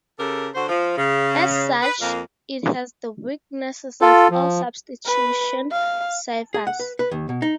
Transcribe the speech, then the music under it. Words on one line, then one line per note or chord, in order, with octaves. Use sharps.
As such, it has the weaknesses of all substitution ciphers.
C#3 G4 A4 A#4
D3 F#4 C5
F3
C#3
B4
F2 A#3
F4 A4
F3
B4
F5
G#4
F#5
B4
B4
D#2
B2
D#4